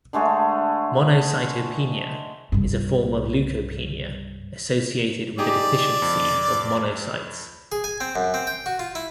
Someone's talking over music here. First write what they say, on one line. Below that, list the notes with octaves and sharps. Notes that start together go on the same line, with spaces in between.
Monocytopenia is a form of leukopenia associated with a deficiency of monocytes.
D3 G#3 A3 G#4
C2 G2
D#4 G4 G#4 D5
F2
G#4
G#5
C4
F#2
C4
G5
F#4
F4
E4